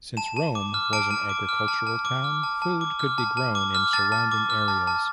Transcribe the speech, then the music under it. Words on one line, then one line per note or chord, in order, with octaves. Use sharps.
Since Rome was an agricultural town, food could be grown in surrounding areas.
A5 E7
A5
D6
F6
A5 D7
A5
D6
F6
A5
A5
D6
F6
A5
A5
D6
F6
A5
A5
D6
F6
A5 A6
A5
D6
F6
A5
A5